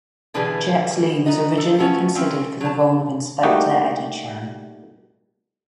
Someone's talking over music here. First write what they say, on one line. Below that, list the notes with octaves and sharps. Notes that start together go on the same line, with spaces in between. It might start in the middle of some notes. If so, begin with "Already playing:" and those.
Jet Li was originally considered for the role of Inspector Eddie Chan.
B2 D3 E3 G3 G#4 B4
D#4 B4 D#5
A4
A3 B3 C#4
C4 C#4 F5
F#3 A5
G3 A3 A#3 D#4 F#4 G4